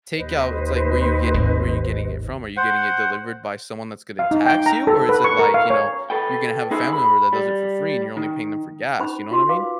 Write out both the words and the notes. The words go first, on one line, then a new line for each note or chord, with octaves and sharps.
takeout it's like, where you getting where you getting it from? Are you getting it delivered by someone that's gonna tax you, or is it like you know, you're gonna have a family member that does it for free, and you're only paying them for gas, you know what I mean.
D#2 B4 C5 D#5
G#1
C5 F#5
F5
D#4
G5
A#5
A4
B4
C#6
A#4
F5
C#5
A4 B4 G5
D#4 F#4 G#4 B4 C5 E5
B5
G3
D#3
C#4 D#4 C5 A#5 B5 C#6
F4 F#4 C6
B4 F5 D6